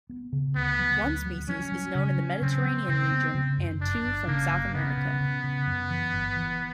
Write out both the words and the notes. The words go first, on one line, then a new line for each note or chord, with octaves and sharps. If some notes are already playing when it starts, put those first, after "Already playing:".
One species is known in the Mediterranean region and two from South America.
B3
C#3
D2 B3
F#3
D2
F#3
F#3 C#4
F#3
C#3 C#4
F#3
C#3 C4
F#3
C#3 C4
B3
C#3
F#2
G1 D4
G1
C#3 A#3
G1
C#3 B3
C#3
C#3
C#3
F#2
E3
G1
E3